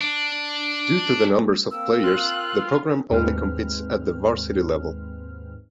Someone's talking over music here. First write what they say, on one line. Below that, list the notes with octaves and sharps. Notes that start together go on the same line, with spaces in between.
Due to the numbers of players, the program only competes at the varsity level.
D4
A#3 C4 A#4 E6
F4 F#6
D#2 G#2 C4 B4 C5 F6